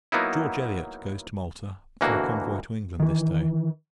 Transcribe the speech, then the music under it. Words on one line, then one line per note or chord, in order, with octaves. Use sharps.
George Elliot goes to Malta, for a convoy to England, this day.
F#3 A#3 B3 D#4 E4
D2 B2 E3 A#3 F#4
D#3 E3